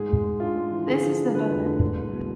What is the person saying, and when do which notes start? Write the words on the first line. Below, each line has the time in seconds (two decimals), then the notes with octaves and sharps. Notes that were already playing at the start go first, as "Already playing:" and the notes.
This is the donut.
Already playing: G#2 G#4
0.09 G#3
0.24 G#3
0.40 D4 F4
0.56 G#3
0.71 E3
0.87 D3 G#4
1.02 F3
1.18 D3
1.34 D3 B4
1.50 F1
1.66 D3
1.81 G#3
1.97 C2
2.12 B2